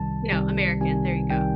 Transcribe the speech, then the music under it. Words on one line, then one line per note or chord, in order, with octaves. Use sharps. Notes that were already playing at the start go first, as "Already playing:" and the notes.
you know, American. There you go.
Already playing: C2 C3 D#3 G3 A5
C2 C3 D#3 G3
C2 C3 D#3 G3 G#5
C2 C3 D#3 G3 G5